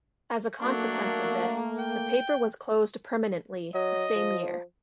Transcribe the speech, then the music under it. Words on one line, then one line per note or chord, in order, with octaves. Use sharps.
As a consequence of this, the paper was closed permanently the same year.
F#3 A3 A#3 D4 F#4
G5
F#3 D#5
F3